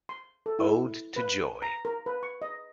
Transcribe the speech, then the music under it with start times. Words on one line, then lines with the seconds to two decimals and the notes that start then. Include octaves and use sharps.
"Ode to Joy".
0.09 C6
0.46 A4
0.59 E4
1.16 B4
1.62 A#5
1.85 A#4
2.06 B4
2.23 C#6
2.42 D#5